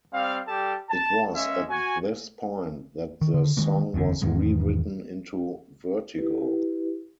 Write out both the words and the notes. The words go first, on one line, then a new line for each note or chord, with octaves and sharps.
It was at this point that the song was rewritten into Vertigo.
G3 C4 F5
G3 G4 A4 A5
A5
G#3 C#4 E5 F5
F#4 G#5
D#3
D3
D#3 G#3 A#3
F#1 E2 B2 D3
E2 G#2 D#3 G#3
E4 G4 B4